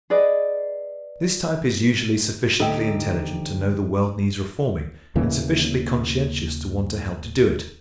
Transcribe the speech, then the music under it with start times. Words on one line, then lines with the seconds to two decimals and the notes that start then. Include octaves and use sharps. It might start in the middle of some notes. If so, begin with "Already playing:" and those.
This type is usually sufficiently intelligent to know the world needs reforming and sufficiently conscientious to want to help to do it.
0.10 G#4 B4 D5 D#5
2.60 D2 D#4 G4 A4 G5
5.15 D#2 C#3 E3 A#3